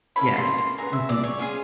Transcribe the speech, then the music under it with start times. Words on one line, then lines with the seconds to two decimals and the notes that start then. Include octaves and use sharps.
Yes, mhm.
0.16 A#3 C#4 E4 A4 B5
0.37 C6
0.58 C6
0.78 B3 E4 G#4 A#5
0.93 E5
1.09 D5
1.24 C#5
1.39 C#4 F4 G#4